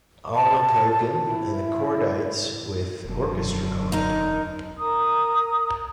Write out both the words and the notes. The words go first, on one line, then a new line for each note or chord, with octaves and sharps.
Alma Cogan and The Kordites with orchestra cond.
A5
E4
E1 F#2 D3 B3
D#4 A#4
A#4 A#5 D#6